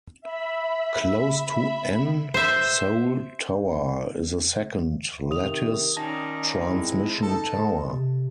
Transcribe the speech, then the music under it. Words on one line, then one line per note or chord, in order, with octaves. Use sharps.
Close to N Seoul Tower is a second lattice transmission tower.
E5 B5
C5 E5
C3 D#3 D#6 F7
A#2 D#3 C#4 D#4 D#5 A5 A#6
G#3 C4 E4
D#4 A4
G#3
C3